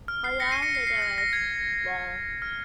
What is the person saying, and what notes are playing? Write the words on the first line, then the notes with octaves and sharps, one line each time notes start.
"Hoya linearis" Wall.
F6
C7
A#6 C#7
C7 D#7
A#6 C#7
C7
C7
A#6
A#6
G#6
F6